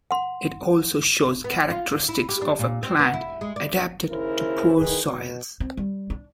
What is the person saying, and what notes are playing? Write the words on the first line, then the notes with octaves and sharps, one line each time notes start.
It also shows characteristics of a plant adapted to poor soils.
F#5 C6
B3
F4
D3
E4
G4
D4
A#2
C4
B3
E4
G#3
D5
D#2 C#3 E4 A#4 C5
D#3 E3 G#4 B4
B2
C4
G3
D4